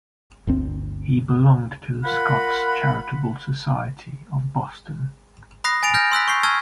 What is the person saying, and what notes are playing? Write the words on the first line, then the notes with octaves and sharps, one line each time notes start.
He belonged to the Scots Charitable Society of Boston.
G1 D2 C4
F4 A#4 F#5 B5
B5 D#6 F#6 A#6 C7
G#5 A6 D7 F7
F6 G6 A#6
C6 E6 F#6 B6
C#6 G6 C7
A5 C#6 E6 F6 G#6